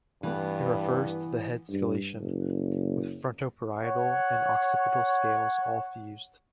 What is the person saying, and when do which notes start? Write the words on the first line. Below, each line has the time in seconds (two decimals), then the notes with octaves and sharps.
It refers to the head scalation with frontoparietal and occipital scales all fused.
0.23 G2 E3 B3
1.70 G2
2.19 F#1
3.82 C#5 F#5